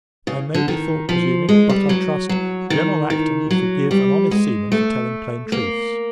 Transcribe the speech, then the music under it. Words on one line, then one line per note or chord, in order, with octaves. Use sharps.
I may be thought presuming; but, I trust, General Acton will forgive an honest seaman for telling plain truths.
C#3
D3
D#3
F3
G#3
G3
F#3
F#3
D#3
D#3
F#3
G3
G#3
A3
A#3